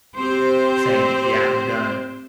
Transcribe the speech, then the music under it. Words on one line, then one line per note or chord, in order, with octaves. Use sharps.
saying, "Yeah, I'm done."
C4 G4 C5